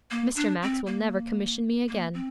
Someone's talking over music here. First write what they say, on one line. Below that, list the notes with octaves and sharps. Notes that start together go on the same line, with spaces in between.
'Mr. Max will never commission me again.'
A#3
D4
C4
A#3
A#3
C4